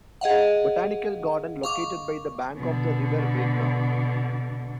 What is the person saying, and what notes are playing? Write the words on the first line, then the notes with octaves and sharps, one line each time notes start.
Botanical Garden located by the bank of the river Meghna.
G#4 D#5 F5 F#5
F5 C#6 D6
B2 D3